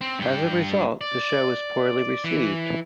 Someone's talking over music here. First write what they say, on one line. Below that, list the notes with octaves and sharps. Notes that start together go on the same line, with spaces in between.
As a result, the show was poorly received.
C4
G2 G5
D5
E3